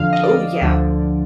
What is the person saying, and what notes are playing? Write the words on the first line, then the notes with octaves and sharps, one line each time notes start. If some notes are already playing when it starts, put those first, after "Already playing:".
Ooh, yeah.
Already playing: F2 D3 F3 F5
D#5
D5
D2 D3 F3